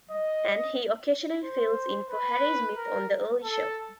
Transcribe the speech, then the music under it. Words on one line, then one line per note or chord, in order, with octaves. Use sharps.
And he occasionally fills in for Harry Smith on The Early Show.
D#5
C5
B4
A#4
A4